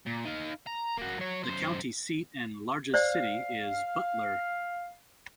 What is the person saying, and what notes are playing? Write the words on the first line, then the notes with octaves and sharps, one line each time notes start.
The county seat and largest city is Butler.
A#2
D#4 F5
A#5
A#3 F#4
F#3 C#5
F#2 C5
C5 D5 F5